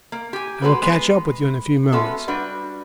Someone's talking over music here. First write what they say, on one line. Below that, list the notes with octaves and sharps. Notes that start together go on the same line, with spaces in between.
I will catch up with you in a few moments.
A#3
G4 G#5
G#3 A#3 F#4 A4 B4
G#3 B3 B4
G#3 B3 C#4 F#4 A4 E5
G3 D4 F#4 B4